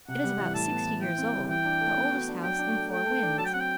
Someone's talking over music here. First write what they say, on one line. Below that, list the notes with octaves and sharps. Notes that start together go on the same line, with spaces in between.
It is about sixty years old--the oldest house in Four Winds.
C3 F#5
G3
E3
A2 A5
B3
E3
E3 G5
C4
G3
E3 G5
D4
A3
B3
F#4
D4
F#3 G5
D4
A3
A3 G5
A4
D4
F#3 A5
G5
C4 F#5
G5